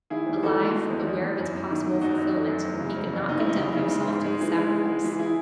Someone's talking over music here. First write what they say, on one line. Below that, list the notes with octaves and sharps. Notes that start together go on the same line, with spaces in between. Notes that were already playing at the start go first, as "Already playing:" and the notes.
Alive, aware of its possible fulfillment, he could not condemn himself to the sacrifice.
D#3 E4 G#4
E2
G#4
E2 F#4 A4
G#3
D#3 D#4 F#4
E2
E2
E2
F#2
F#2
D#3
D#3
F#2 D#4 F#4
F#2
A3
F#2
E2
C#3
E2
F#1
F#1 D#4
E4
E2 D#4
C#3 E4
C#3
G#3
G#2
G#3
E3
G#3
G#3
G#3
E3
E4 G#4